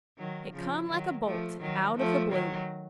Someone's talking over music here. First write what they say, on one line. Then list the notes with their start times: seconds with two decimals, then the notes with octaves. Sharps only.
It come like a bolt out of the blue.
0.18 D#3 F#3
0.54 C#3 F3
0.89 D#3 F#3
1.25 F3 A3
1.61 D#3 F#3
1.97 F3 A3
2.32 D#3 F#3